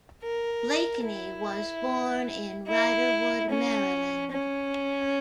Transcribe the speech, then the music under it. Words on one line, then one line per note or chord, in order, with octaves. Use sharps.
Blakeney was born in Riderwood, Maryland.
A#4
E4
E4
C#4
C#4